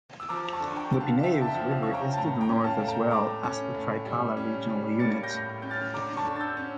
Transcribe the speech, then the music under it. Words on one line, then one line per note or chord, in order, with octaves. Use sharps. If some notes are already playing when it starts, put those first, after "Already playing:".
The Pineios River is to the north as well as the Trikala regional unit.
E6
F3 A#5 D6
A#5
A5 C#6
D3
C#6
G5 A#5
D3
F5 A5
D3 E5 G5
A5
E5 G5
F3
F5
C#4 C#6
G5 A#5
A5
A2 G5 A#5
G5 A#5
C#4
F5 A5
A3
G5 A#5
A3 A#5 D6
C#4
A2
G3
C#4
G3
A#3 A6 C#7
G6 A#6
A2
C#4 G6
F6 A6
D3 A#5 D6
A5 C#6
D3
A6
E6 G6
C#4